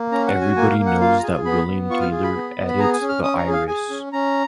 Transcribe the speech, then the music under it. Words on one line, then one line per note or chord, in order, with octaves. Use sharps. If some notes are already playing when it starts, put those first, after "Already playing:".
Everybody knows that William Taylor edits the Iris.
Already playing: A#3
C#4 A#5
F#5
F#4
G#5
A#3 G#5
F5
A#3
F#5
F4 F5
A#5
G#4 G#5
B3 B5
B3
F4 C#6
F6
G#4
B5
B3
B3
B5
G#4 A#5
G#5
C#4
F6
C#4 D#6
A#5
G#4
F5
G#4 G#5
C#4
C#4 A#5